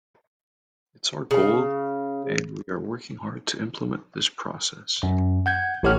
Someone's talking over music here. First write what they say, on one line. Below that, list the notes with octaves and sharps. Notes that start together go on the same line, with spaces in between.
It's our goal and we are working hard to implement this process.
C#3
F#2
F#5 G6 G#6
A1 A2 G4 C#5 F#5 F6